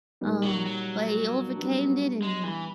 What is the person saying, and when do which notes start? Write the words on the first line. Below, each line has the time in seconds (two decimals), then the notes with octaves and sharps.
um, but you overcame, didn't you?
0.21 A#2 G3 A#3 D#4
0.43 F#3
0.66 F#3
1.54 G3 B3 D4
2.22 G#3
2.44 E3